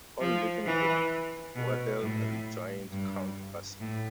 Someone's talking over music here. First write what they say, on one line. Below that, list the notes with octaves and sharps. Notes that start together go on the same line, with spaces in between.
On leaving Goodman, Wardell rejoined Count Basie.
F3
E3
B2
A2
G2
A2